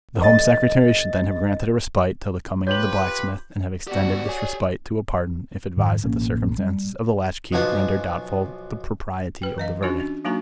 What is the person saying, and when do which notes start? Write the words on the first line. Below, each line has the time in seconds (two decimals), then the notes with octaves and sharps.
The Home Secretary should then have granted a respite till the coming of the blacksmith, and have extended this respite to a pardon, if advised that the circumstances of the latch-key rendered doubtful the propriety of the verdict.
0.20 G1 D#5 A6
2.67 F4 G4 B4 C#5 G6 F#7
3.87 B3 F#4 G4 D5
4.25 G4 C#5 G#5
5.77 G#2 D#3
6.04 A1 B2 A#3 C#4
6.58 G3
7.52 B1 B2 F3 F#4 G#5 A5
9.42 B4 G5
9.58 E3 D#5 F5
9.83 C#4 D4 F4 F#4
10.00 D4
10.25 F#3 A#3 D4 D#4 F#4 A#5